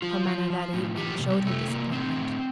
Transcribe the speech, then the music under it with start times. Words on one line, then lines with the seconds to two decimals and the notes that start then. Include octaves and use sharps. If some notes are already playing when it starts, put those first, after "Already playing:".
Her manner that evening showed her disappointment.
0.02 F3 F4
0.26 F3
0.50 F3
0.73 A2
0.97 F3 G4
1.21 C3
1.29 G3
1.45 C3 A3
1.68 C3 A#3
1.92 A2 C4
2.16 A2